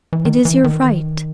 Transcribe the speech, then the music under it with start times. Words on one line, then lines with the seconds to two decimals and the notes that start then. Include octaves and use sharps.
It is your right.
0.13 E3
0.25 D#3
0.45 E3
0.64 D#3